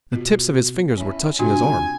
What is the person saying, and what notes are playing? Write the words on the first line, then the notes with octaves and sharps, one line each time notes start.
The tips of his fingers were touching his arm.
B2 F4
C#4 E4
C3 G3 D4 F4 F#4 G#5